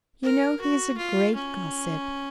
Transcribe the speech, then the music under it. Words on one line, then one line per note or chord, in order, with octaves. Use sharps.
You know he is a great gossip.
A#4
F#4
F4
C#4